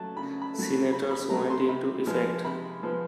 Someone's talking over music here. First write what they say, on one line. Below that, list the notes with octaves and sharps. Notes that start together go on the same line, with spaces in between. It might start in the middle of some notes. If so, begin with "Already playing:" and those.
Senators went into effect.
Already playing: C#3 F#3 A3 A5
C#3 B5
B5
F#3 A3
C#3 B5
B5
F#3 A3 A#5
C6
C3 B5
F3 G#3 B3
C3 B5
F3 G#3 B3